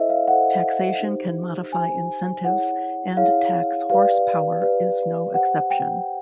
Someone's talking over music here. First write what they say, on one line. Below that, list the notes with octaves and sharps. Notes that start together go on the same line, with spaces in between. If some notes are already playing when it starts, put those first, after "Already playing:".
Taxation can modify incentives and tax horsepower is no exception.
Already playing: E4 A4 C5 D#5 E5
F5
E4 A4 C5 F#5
D#4 G4 C5
D#4 G4 C5 G#5
E4 G#4 C#5 F#5
E4 G#4 C#5 F5
G4 B4 D5 F5
G4 B4 D5
G4 C5 F#5
G5